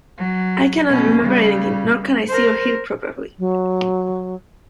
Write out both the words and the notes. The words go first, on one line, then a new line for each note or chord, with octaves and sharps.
I cannot remember anything, nor can I see or hear properly.
F#3
B2 C#4
C#3 G3
A#4 C5
F#3